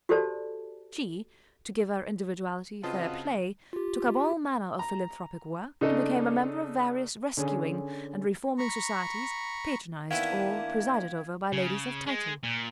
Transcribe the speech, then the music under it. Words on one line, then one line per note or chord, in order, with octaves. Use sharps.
She, to give her individuality fair play, took up all manner of philanthropic work and became a member of various rescuing and reforming societies patronized or presided over by ladies of title.
F#4 G4 A4 C5 D5 A5
C#3 C4 F4 F#4 B4 D#5 F5 A5
F4 G4
A#5
C#3 D4 D#4 A4 D#5
D3 C#4 G#4
A#5 B5 C#6
D#3 E3 A#3 B3 D4 E4 F5 G#6
C#3
G#3
A#2